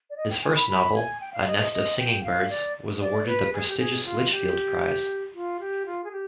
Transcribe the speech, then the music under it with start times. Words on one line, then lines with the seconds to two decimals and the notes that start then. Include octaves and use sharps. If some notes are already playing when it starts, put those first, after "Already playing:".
His first novel "A Nest of Singing Birds" was awarded the prestigious Litchfield Prize.
0.10 D5
0.17 D#5
0.30 G5
0.43 G#5
0.56 B5
0.69 B5
0.95 G#5
1.21 G5
1.33 F5
1.46 D#5
1.59 D#5
1.72 D#5
1.98 G5
2.24 F5
2.50 D5
3.01 D5
3.27 B4
3.53 G#4
3.68 G4
3.79 G#4
4.05 F4
4.30 G4
5.34 F4
5.60 G4
5.86 F4
6.04 G#4
6.12 G4